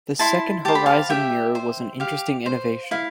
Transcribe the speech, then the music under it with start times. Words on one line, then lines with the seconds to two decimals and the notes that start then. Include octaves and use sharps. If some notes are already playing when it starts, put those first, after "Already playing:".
The second horizon mirror was an interesting innovation.
0.19 E4 A5 C6
0.65 G4 C5 A5
0.75 B5
0.86 F5 A5
1.10 G4 E5 G5
1.55 C5
2.00 G4 F5
2.46 C5
2.91 E4 F5